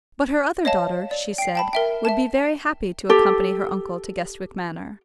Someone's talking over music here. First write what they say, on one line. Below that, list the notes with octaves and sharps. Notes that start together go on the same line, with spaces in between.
But her other daughter, she said, would be very happy to accompany her uncle to Guestwick Manor.
C#5 D#5 F5 A5
D5
G5 C7
G5 A5 B5
A#4 E5 G5
E5 A5
G4 A4